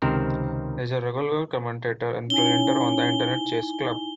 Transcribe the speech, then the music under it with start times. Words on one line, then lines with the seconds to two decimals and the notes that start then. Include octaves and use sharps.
He is a regular commentator and presenter on the Internet Chess Club.
0.02 C#2 C3 D#3 C4 A#4 C5
2.30 C#4 D#4 E4 G#5 G7